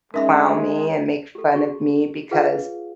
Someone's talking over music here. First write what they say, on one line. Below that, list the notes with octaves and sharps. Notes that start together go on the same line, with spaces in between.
clown me and make fun of me because
G#3 C#4 D#4 A#4 E5
G4 A4
F#4 G#4 C#6
F4 G#4 B4 C#5 F5 F#5